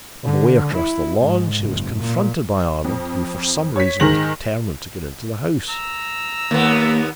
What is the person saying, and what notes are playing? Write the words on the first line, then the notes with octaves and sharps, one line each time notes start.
On the way across the lawn she was confronted by Arnold, who for some reason was determined to get into the house.
D3
E4
G#2
F#1
A#2
F2
C#5 B6
G#2 D#3 G#3 A#6 F#7
A#5 E6
D#2 A#3 B3